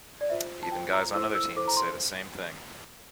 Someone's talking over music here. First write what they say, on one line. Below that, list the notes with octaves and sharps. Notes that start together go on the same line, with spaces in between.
Even guys on other teams say the same thing.
D5
F4 C5 E5
A5
F4 C5 G5
A#5
E4 A4 C5 E6
E6
E4 A4 C5 D6
A#5
C6